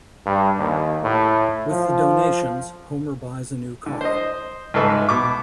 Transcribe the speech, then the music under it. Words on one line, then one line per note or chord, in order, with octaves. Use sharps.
With the donations, Homer buys a new car.
G2
D#2
A2
F3
D3
C5 D#5
C#2 G#2 D#4 A4 B4 E5
B2 D6